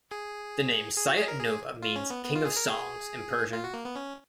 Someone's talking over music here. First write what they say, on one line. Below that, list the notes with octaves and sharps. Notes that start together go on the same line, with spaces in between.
The name Sayat-Nova means "King of Songs" in Persian.
G#4
G#4
F#4
G#4
A#4
G#4
F4
C#4
B3
B3
F4
G#4
A#4
G#4
F4
F#4
A#3
B3
C#4